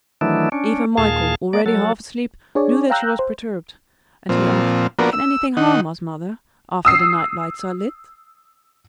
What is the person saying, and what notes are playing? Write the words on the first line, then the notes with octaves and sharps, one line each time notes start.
Even Michael, already half asleep, knew that she was perturbed, and he asked, "Can anything harm us, mother, after the night-lights are lit?"
D#3 E3 F#3 A3 D4 E4
C#4 D4
D#2 A#2 G#4 F5 A5
A#3 D5
F#3 A4
D4 G#4 C#5 D5
F5 G5 A#5 E6 F#6 G6
C5
A#2 F3 C4
F3 A#3 B3 D4 F#4 A#4
E6
D#3 D#4 F#5
D#6 E6 C7